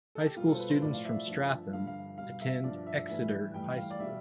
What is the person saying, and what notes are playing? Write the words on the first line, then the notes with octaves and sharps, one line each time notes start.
High school students from Stratham attend Exeter High School.
A4
G4
B2 G3 F4
A4
C5
B4
C5
A2 F3 D5
F5
E5
G2 F3
G2 D3 G3 F5
F5
B2 G3 F5
E5
G2 F3 D5
E5
A2 E3 G3 E5
A2 E3 G3 G5
F5
D5
B2 G3 E5